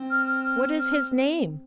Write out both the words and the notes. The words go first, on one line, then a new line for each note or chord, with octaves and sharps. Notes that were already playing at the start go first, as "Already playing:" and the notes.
"What is his name?"
Already playing: C4
F6
F6
F6
F6